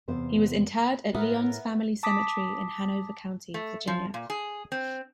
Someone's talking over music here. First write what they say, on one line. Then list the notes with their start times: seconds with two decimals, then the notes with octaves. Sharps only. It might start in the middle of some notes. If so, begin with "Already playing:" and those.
He was interred at Lyons Family Cemetery in Hanover County, Virginia.
0.08 E2 C3 B3 C5 F5
1.14 A2 B3 A#4 E5
2.03 A5 D6 D#6 B6
3.54 A3
3.87 F3
4.14 A#2
4.30 G#4
4.72 C4